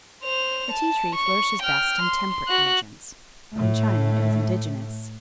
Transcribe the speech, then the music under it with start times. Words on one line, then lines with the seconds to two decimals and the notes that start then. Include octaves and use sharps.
The tea-tree flourishes best in temperate regions; in China it is indigenous.
0.24 C5 F7
0.71 A5
1.15 C#6
1.62 G5 F6
2.02 C6
2.48 F#4 F#6
3.55 A2 A3